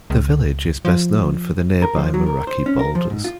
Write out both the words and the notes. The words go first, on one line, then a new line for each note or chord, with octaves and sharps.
The village is best known for the nearby Moeraki Boulders.
C#2
F3
A#4
F3
F#3
A#4
C5
C#4
A#4
F3
G#2
F4